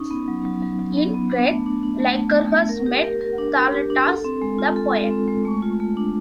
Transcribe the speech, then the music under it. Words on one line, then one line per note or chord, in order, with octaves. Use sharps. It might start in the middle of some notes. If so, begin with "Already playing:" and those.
In Crete, Lycurgus met Thaletas the poet.
Already playing: C#4 D#4
B3
F#3
F#3
F#3
F#3
B3
B3
D4
A3
D4
D4
A3
A3
A3
A3
A#4
G4
A#4
A#4
D4
A#4
G4
D4
A4
C4
G#3
F4
A4
G#3
C4
G#3
A3
F4
A3
D4